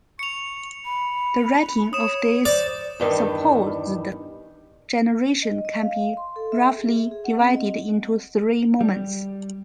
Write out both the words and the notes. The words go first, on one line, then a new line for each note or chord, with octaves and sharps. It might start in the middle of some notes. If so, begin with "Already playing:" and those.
The writing of this supposed generation can be roughly divided into three moments.
C#6 C#7 F7
B5
C#5 D#6 E7
C5 D5
E2 G2 D#3
D#5
D#5
F5
C6
A4
E5
G#4
E5
G#4
F#5
C4
D#5
G3